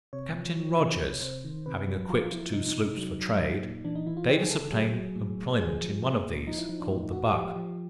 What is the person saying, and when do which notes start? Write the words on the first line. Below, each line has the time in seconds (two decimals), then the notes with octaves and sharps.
Captain Rogers having equipped two sloops for trade, Davis obtained employment in one of these, called the Buck.
0.13 C3 C#5
0.34 F3
0.57 F3
0.79 C3
1.00 C3
1.22 C3 C5
1.44 D#3
1.66 C3 B4
1.88 F#3
2.09 F3 F4
2.32 F3 E4
2.53 C3 D#4
2.75 C3
2.97 F#3
3.19 F#3
3.41 A#2
3.62 A#2
3.84 E3 D4
3.95 D#4
4.06 E3 E4
4.17 F4
4.28 C#3 G4
4.39 G#4
4.50 C#3 A4
4.61 A4
4.71 F#3 G#4
4.94 F#3
5.16 A2
5.37 A2
5.59 F3 G#4
5.81 F3
6.03 A#2 G#4
6.25 A#2
6.47 F3 D#4
6.58 E4
6.69 F3 D#4
6.80 D4
6.91 A2 D#4
7.12 A2 F#4
7.34 F3 G4
7.56 F3